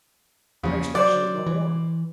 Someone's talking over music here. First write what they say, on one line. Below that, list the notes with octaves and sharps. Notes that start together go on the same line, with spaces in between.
"I expect she is no more."
E2 C#3 F3 A#3
F#3 C5 D5
E3